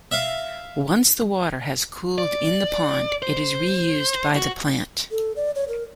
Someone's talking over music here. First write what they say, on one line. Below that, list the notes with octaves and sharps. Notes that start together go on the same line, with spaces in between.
Once the water has cooled in the pond, it is reused by the plant.
E5 F5
D5
C5
F#4
A4
D5
C#5
A#4